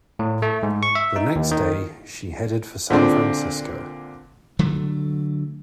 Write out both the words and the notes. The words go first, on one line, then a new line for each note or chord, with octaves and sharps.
The next day, she headed for San Francisco.
A2
A3
G#2
C#6
E5
D#4
D#2
D#3
A#2 D3 C4 D4
D3 F#3 A3